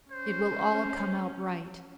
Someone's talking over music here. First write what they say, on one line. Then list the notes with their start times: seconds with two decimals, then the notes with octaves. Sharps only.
It will all come out right.
0.11 C#4 C5